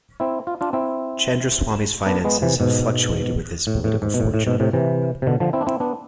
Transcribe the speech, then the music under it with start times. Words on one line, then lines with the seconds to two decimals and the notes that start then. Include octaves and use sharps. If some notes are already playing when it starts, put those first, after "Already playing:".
Chandraswami's finances have fluctuated with his political fortune.
0.20 C4 E4
0.47 F4
0.61 D4 F4
0.73 C4 E4
2.06 B3 D4
2.24 G#3 B3
2.42 C3 E3
2.60 G#2 B2
3.67 A2
3.84 A2
4.02 G#2
4.14 B2
4.20 A2
4.34 A2
4.47 G#2 B2
4.60 A2 C3
4.73 C3 E3
5.22 C3
5.27 B2 D3
5.40 D3 F3
5.53 C4 E4
5.61 D4
5.67 C4 E4
5.80 B3 D4